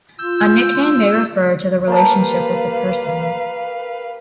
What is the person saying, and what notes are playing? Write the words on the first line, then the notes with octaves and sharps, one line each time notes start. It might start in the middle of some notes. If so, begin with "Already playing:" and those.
A nickname may refer to the relationship with the person.
F4 E6 G6
A#3 G4 B4 F5 A5